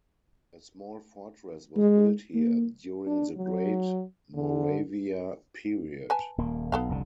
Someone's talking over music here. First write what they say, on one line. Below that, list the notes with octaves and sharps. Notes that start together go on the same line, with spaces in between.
A small fortress was built here during the Great Moravia period.
G#3
A#3
D4
F#3
D3
B4 G#5 A5
D#1 A#3
B1 B3 A4 F5
F1 C2 D3